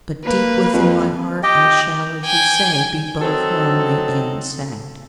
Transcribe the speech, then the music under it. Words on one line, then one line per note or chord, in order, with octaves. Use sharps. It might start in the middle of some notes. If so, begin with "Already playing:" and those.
But deep within my heart I shall, as you say, be both lonely and sad.
A#3 B4
F2
G4 D#5 G5
G5 G#5
F#3 C4 D#4 A4